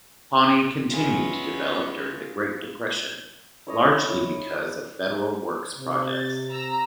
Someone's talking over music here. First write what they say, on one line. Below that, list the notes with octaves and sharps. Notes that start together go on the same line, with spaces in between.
Pawnee continued to develop during the Great Depression, largely because of Federal works projects.
G#3 B3 C#4 E4 F4 G#4
E4 C#5 D#5
C3
A6
A#5 E6 A#6